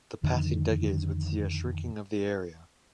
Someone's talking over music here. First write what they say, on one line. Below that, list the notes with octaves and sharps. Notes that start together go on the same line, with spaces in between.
The passing decades would see a shrinking of the area.
F2 D3 D#3